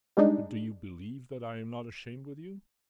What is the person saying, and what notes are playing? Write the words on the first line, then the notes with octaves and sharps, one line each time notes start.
"But do you believe that I am not ashamed with you?"
G3 G#3 D4 D#4